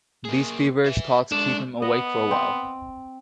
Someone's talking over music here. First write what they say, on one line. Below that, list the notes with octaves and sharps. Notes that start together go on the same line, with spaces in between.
These feverish thoughts keep him awake for a while.
A#3 G#4
B4 E5
G#3 D4 A4
B3 D#5
C4